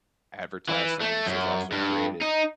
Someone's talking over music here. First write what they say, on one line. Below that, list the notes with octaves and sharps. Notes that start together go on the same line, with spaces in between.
advertisings has also created,
E3
A3
F#2
G2
D#4